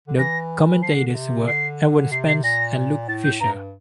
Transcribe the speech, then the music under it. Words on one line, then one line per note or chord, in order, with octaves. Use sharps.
The commentators were Ewan Spence and Luke Fisher.
D3
E3 A#6
F3 C7
D3
D3
C3
D3 C7
C3 C7
C7
A#2 A#6
A2 A6
G6
G2 A#5